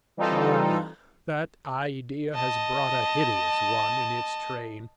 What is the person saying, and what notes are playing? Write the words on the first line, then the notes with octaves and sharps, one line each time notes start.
Ah! that idea has brought a hideous one in its train.
E3 G3 C4 D#4 F4 A4
D#5 A5